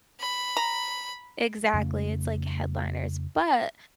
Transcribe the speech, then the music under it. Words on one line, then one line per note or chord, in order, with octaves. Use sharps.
Exactly, it's like headliners, but
B5
A#5
F2 C#3 A3